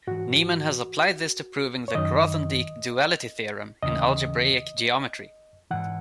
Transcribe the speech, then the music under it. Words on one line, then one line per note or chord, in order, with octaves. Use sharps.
Neeman has applied this to proving the Grothendieck duality theorem in algebraic geometry.
G#2 E3 F#4
C#5
F#2 D#3 D#5
D#2 C#3 E3 D#5
G#2 E3 F#5